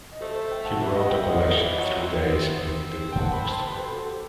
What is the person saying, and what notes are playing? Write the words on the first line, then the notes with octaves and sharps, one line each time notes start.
He wrote the collection in three days in the window of a bookstore.
D#5
A3 A4 C5
C5 E5
E5 G5
F#5 A5
E3 C5 E5
D#5 F#5
E5 G5
E5
D#5 F#5
C3
D#3 D#5 F#5
E3 E5
D#5 F#5
F#3
E5 G5
C4 E5 G5
B3
C4
B3
C4
G5
F#5 A5
G5 B5
A5 C6
G5 B5
B4
A4 C5
F#4 A4
G4